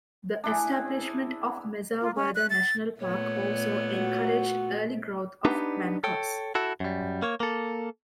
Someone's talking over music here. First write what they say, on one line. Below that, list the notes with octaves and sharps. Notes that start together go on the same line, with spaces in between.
The establishment of Mesa Verde National Park also encouraged early growth of Mancos.
D4 E4 G#4
F4
C#4
F#6
A6
A#2 A3 B3 C#5
F#4
B3 D4 D#4 G4 B4
A4 C#5 G5
E4 F#4 A4
F#2 G3
A#3 C#5
A#3 A4